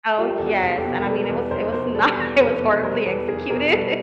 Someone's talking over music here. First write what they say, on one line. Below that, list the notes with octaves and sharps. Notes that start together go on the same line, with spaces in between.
Oh, yes. And, I mean, it was it was not it was horribly executed,
G3 F4 G4
A#4
E2 A4
F#4 G#4
F1
G4 A4
B2
A#4
G3 A4 B4
A#4
E2 A4 B4
F1 A#4 C5
B2 A#4 C5
G3 A4 B4
E2
F1 A4 B4
B2
B4
G3 A#4 C5
E2 A4 B4
F1 G#4 A#4
B2 G#4 A#4
G3 A4 B4